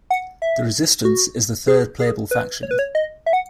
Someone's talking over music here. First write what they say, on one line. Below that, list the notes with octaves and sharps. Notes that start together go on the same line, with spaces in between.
The Resistance is the third playable faction.
F#5
E5
F#4
G#4
G#4
B4
C#5
B4
C#5
D#5
E5
F#5